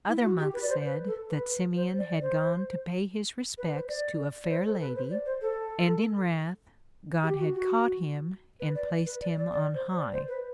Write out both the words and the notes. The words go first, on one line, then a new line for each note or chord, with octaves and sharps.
Other monks said that Simeon had gone to pay his respects to a fair lady, and in wrath God had caught him and placed him on high.
E4
F#4
G4
B4
D5
C5
B4
A4
B4
C5
D5
C5
B4
C5
D5
D5
C5
A4
B4
C5
D5
C5
A4
G4
F#4
F#4
B4
D5
B4
D5
D5
D5
C5
D5
C5
B4